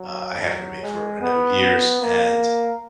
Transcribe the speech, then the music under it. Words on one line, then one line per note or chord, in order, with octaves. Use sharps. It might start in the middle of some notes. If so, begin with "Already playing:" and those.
uh, I had a roommate for a number of years, and
Already playing: F#3
F#3
G#3
B3
B3
A#3